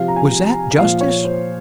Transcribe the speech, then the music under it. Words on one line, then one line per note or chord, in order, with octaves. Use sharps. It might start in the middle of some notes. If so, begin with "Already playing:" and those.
Was that justice?
Already playing: C3 F3 F5
A#5
G#5
A#2 F3 F5
C#5
C5